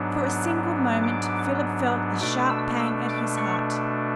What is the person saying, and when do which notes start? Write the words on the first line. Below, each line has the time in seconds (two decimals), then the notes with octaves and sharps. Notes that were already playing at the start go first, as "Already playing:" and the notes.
For a single moment Philip felt a sharp pang at his heart.
Already playing: G#2 F#3 B3 D4
1.04 D6
2.21 B2 A3 D4 D6
2.50 E6
2.79 E6
3.09 D6
3.37 C#6